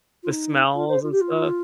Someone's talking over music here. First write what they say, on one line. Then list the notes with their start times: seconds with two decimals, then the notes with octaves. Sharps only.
the smells and stuff?
0.23 F4
0.31 D#4
0.74 F4
0.88 C5
1.03 F4
1.11 G4
1.21 F4